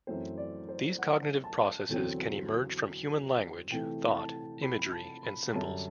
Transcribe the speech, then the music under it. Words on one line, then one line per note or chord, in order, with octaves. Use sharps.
These cognitive processes can emerge from human language, thought, imagery, and symbols.
F#2 E3 A3 C4 C5
D5
C5
F#5
A5
E2 D3 F#3 C4
C3 E3 A3 G5
A5
B5
A5
B5
F#2 D3 G3 A5